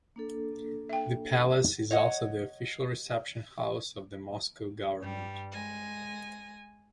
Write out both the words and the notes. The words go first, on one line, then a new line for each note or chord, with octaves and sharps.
The palace is also the official Reception House of the Moscow government.
A#3 D4 A4
E5 G5
C#5 D#5 F#5
G2 G3
G#3 G#5 A#6